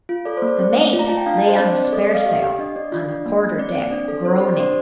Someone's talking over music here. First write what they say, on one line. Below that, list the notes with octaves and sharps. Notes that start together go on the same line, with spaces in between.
The mate lay on a sparesail on the quarter-deck, groaning.
F4
A4 D5
C5
A#3
D5
C4
A3
F4
A#5
F4 A5
G5
D4 F5
A5
D4
C5
C4 D5
C4
D5
A4 D#5
D#5
A4
F5
G4
G4
D4 D#5
D4 D5
F4
D4
A#3
A#3
C4 D5
C4
D4
A4
C4 C5
G4
D5
D4 C5